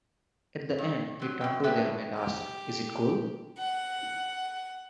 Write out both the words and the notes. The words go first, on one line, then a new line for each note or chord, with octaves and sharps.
At the end, he turned to them and asked, Is it cool?
G2
C3 F#3
F#2 G5
C#3 A#3 D4 B4 E5 G5
G4
F#5